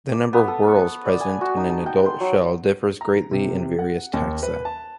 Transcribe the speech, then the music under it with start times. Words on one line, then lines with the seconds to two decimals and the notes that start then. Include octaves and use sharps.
The number of whorls present in an adult shell differs greatly in various taxa.
0.12 D6
0.33 B3
0.48 A4
0.68 C#6
1.06 D5
1.20 G#5
1.41 F#4
1.57 D#4
1.70 A5
1.86 G5
2.06 C6
2.20 F#3
3.01 A#5
3.31 C3
3.79 F#5
4.13 D#2
4.43 B4
4.65 A5